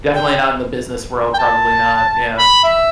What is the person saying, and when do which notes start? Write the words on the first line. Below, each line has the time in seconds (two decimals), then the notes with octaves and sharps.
Definitely not in the business world, probably not, yeah.
0.15 G5
1.34 G5
1.39 A5
2.38 B5
2.64 E5